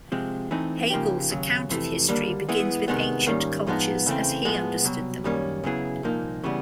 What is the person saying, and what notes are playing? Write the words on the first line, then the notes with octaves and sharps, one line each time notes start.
Hegel's account of history begins with ancient cultures as he understood them.
C3 F3 G#3 C4
E3 A3 C4 D#4
C#3 F3 A#3 D#4 G4
D#2 C#3 F#3
F2 C3 E3 A3
D#2 D3 G3 A#3
E3 G#3 B3 E4
C2 C3 D#3 G#3 B3
G#2 D#3 G3 A#3 C#4
A2 F3 G#3 B3 D#4
C#3 E3 A3 C4
A2 F3 G#3 B3
C2 B2 F#3
F#2 D#3 G3 A#3 C#4
C#3 F#3 B3 E4 G#4
C2 A#2 F3 A#3 D#4
C#3 E3 G3 B3